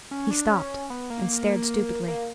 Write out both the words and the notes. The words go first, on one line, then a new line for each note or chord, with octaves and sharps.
He stopped and stared stupidly.
C#4
D4
C#4
B3
A#3
A#3